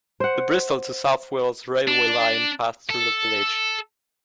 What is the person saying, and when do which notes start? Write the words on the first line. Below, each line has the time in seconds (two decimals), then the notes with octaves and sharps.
The Bristol to South Wales railway line passed through the village.
0.20 C5 F#5
1.88 D4
2.90 A4